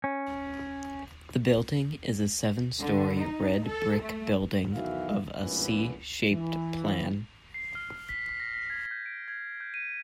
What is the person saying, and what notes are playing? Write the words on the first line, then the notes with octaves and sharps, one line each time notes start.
The building is a seven-storey red brick building of a C-shaped plan.
C#4
D3
D#4
A4
A3
B1 D#3 E3 F#4 E5 F5
G2 A#2 E3 G#3 B3 C#4
E3
C7
F6
B6
A#6
B6
G#6
G6
D7
G#6
G6
D#7